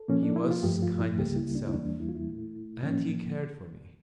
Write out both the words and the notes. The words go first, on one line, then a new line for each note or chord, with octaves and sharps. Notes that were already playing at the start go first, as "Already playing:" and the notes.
He was kindness itself, and he cared for me.
Already playing: A4
A#2 F3 A#3 C#4
D4
E4
F4
G2 F3 A3 G4
F4
E4
C#2 C#3 G3 A#3 G4
E4
D4
E4
E2 E3 G3 A#3 D4
E4
F4
E4
A#2 A3
A2 F3 A#3 C#4